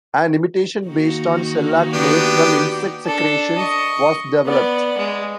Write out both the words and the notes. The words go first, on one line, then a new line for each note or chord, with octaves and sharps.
An imitation based on shellac made from insect secretions was developed.
D#3 A#3 F#4
B3 D4 G4
D4 A4
D#5 C#6
B3 D5
G#3